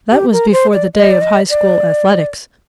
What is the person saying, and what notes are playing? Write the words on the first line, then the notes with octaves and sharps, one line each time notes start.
That was before the day of High-School athletics.
G4
A#4
C5
D5
D#5
D5
D#5
D5